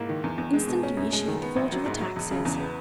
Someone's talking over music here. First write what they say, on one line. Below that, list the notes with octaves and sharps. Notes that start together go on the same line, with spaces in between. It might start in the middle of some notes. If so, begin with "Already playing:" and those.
Instantly she had thought of the taxes.
Already playing: G#2 A#3 E4
D#3
E2
E2
G#3
B2
C#4
F#2
G#3
D#3
B3
A#1
F#3
G#2
F#3
E1
C#3
E2
B3